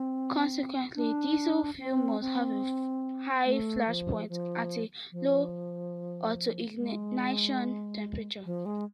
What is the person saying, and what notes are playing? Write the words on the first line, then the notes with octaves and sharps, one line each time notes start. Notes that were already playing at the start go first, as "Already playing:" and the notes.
Consequently, diesel fuel must have a high flash point and a low autoignition temperature.
Already playing: C4
D4
C4
C4
A3
F3
F3
F3
G#3
F3
G#3